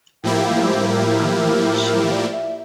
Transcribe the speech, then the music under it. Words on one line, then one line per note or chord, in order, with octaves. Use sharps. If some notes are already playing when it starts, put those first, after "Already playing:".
No more ammunition.
A2 F3 A#3 E4 G4 G5
F5
C5
A#4
D5
E5